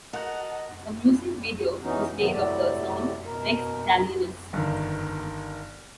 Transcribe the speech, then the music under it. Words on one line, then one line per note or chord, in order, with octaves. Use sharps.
A music video was made of the song "Rex Talionis".
F#4 A4 A#4 D#5 F#5 F#6
E3 B3 C#4 D#4 F#4
C3 D#3 F#3 B3
A2 C3 G3 F#4 A4 D5
B2 A#4
G1 D#3